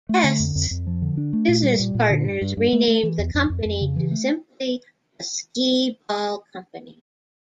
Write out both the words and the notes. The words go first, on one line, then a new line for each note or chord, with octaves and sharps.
Este's business partners renamed the company to simply the Skee-Ball Company.
A3
D3
F2
F2
F2
F3
D3
D4
A3
A#2
G3
A#2
A#2
D3
G2
G2
G2
A3
A3
E3
E2
F2
F2
F2
C#3
E3
A3